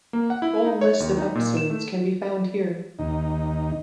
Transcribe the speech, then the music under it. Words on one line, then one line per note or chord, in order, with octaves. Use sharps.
Full list of episodes can be found here.
A#3
F#5
E4
D#4
C#5
D#2
D#4
A#2
E7
A3
D#2 D#4